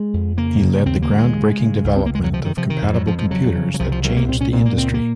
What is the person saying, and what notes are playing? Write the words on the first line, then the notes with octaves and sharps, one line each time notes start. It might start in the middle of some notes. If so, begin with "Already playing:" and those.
He led the groundbreaking development of compatible computers that changed the industry.
Already playing: G#3
F2
C#3 A#3
C#3
D#2 C4
A#3
D#2
G#3
C#3
C#3
C#2
C4
C#2 A#3
G#3
F#3
C3 F3
D#3
C3 F3
D#3
F2
F#3
F2 F3
F3
C#3 F#3
C#3
F#3
C2 F3
F3
C2 F#3
A#3
A#2 C4
C#4
A#2 C4
A#3
C#2 C4
A#3